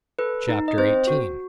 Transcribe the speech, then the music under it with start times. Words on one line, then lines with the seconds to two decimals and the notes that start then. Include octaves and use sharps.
Chapter XVIII.
0.19 A4 B4
0.49 D#4
0.68 D#5
0.78 C4 C5
1.07 F#4